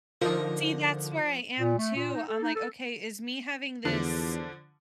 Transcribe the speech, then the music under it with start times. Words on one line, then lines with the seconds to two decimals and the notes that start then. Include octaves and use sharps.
See, that's where I am too, I'm like, okay, is me having this
0.21 D3 F3 D#4 A#4
1.59 A#2
1.77 A3
1.95 A#2
2.15 D#4
2.28 A4
2.43 D#4
2.55 A4
3.85 E2 D3 F3 D4